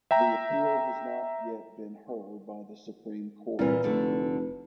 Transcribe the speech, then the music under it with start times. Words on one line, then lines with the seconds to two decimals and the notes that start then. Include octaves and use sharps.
The appeal has not yet been heard by the Supreme Court.
0.11 E5 G5 A#5
3.59 C2 A#2 E3 E4 B4
3.84 F1 D3 A3